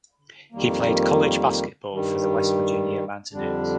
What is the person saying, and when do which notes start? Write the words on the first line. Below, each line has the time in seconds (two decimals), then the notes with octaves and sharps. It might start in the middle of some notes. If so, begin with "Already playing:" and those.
He played college basketball for the West Virginia Mountaineers.
0.52 F2 D#3 G3 A#3
1.92 G2 D#3 G3
3.33 F2 D3 G3 D4